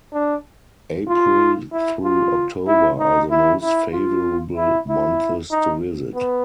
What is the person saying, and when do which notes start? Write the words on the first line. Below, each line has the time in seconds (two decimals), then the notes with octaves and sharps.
April through October are the most favorable months to visit.
0.13 D4
1.08 F4
1.72 E4
2.04 F4
2.67 E4
2.99 D#4
3.30 E4
3.61 E4
3.93 F4
4.56 E4
4.89 E4
5.51 D#4
6.14 B3